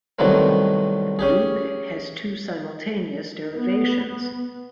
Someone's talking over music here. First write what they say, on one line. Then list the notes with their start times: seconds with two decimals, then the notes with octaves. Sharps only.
"Lyube" has two simultaneous derivations.
0.19 C2 D#3 F#3 A3 B3 C4
1.19 C#4 G4 G#4
3.55 B3